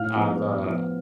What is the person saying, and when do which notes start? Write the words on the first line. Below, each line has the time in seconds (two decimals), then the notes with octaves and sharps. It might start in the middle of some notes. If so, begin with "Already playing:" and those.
I've, uh
Already playing: A2 F5 F6
0.15 F3 B3
0.40 A2
0.65 F3 B3